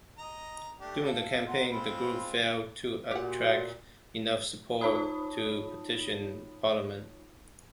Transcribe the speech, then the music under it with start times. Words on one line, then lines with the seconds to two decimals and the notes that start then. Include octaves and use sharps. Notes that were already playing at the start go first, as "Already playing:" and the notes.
During the campaign, the group failed to attract enough support to petition parliament.
0.18 D#5 A#5
0.79 A3 D4 G4
1.06 A4 F5
1.48 F#5 A#5 C6
1.71 G#3 C4 F4 B5
3.11 A#2 F#4 G4 F#5
4.81 D#4 F4 C#5 A5 B5 D#6